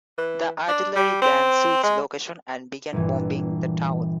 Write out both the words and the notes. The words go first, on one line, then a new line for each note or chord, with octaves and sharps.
The artillery then switched location and began bombing the town.
E3
D4
G3
C4
G#3
G1 A#2 E3